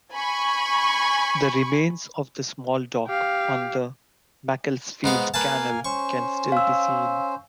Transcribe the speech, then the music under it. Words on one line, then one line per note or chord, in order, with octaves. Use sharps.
The remains of the small dock on the Macclesfield Canal can still be seen.
G#5 B5 C#6
G4 F5
G#2 B3 F5
A#3 B4 F5 G#5 A5
C#4 C5 C#6
F5 E6